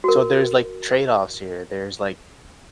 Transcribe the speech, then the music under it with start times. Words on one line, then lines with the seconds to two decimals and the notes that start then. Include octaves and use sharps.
So, there's, like, trade-offs here. There's, like
0.04 F#4 A#4